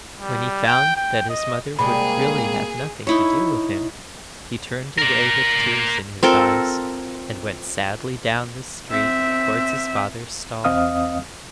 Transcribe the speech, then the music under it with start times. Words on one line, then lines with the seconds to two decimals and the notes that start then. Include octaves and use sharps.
When he found that his mother would really have nothing to do with him he turned away with tears in his eyes, and went sadly down the street towards his father's stall.
0.20 G3
0.67 G5
0.96 G5
1.30 D#5
1.79 C3 G3 G#3 A#3 G#4 B5
3.07 D#4 E4 C#5
4.98 A#4 D5
6.23 C4 F4 A4 A#4
8.90 C4 E5
10.64 E2 C4 D#5 F5 D#6 F6